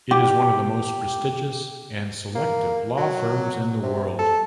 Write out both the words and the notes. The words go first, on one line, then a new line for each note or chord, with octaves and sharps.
It is one of the most prestigious and selective law firms in the world.
G4
A#3
F#3
C3
A4